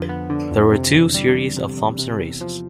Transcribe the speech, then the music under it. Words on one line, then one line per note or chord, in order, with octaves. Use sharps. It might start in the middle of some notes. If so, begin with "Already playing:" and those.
There were two series of Thompson races.
Already playing: F2 D3 F3
B3
D3
F2
C3
E2
G3
E2
C3
E2
C3
E2
F3